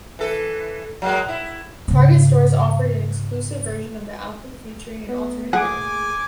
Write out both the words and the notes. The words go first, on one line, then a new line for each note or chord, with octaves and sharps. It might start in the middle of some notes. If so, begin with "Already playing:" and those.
Target stores offered an exclusive version of the album featuring an alternate cover.
E3 A4
F#3 G#3 A#3
E4
G#2 C#3
B3
A3 A#3 G#4 F#5 G#5 D6